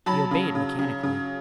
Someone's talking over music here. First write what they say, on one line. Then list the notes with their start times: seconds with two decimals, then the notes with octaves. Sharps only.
He obeyed mechanically.
0.06 F#3 A5 B5
0.31 C#3
0.55 C#3
0.79 C#3
1.03 C#3